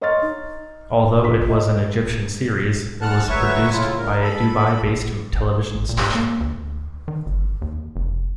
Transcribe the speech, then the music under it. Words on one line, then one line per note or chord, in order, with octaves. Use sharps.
Although it was an Egyptian series, it was produced by a Dubai-based television station.
C#5 D#5 C6 C#6 F6 A6
D#4
F4 B6
D#5
F#2 G#3 F#5 A5 F6 F#6
D2 F#3 B4 C#5 E5 C#6
A2 C#3 E4 F4
G#2 D3 A#4
A4 B5
A1
A#2
A#3
D2
D#3
G1
D#2
F1